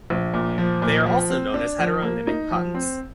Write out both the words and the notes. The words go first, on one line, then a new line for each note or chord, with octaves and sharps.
They are also known as "heteronymic puns".
A#1
A#2
F3
A#2
F3
C4
D4
F3
A#3
D#4
F3
C4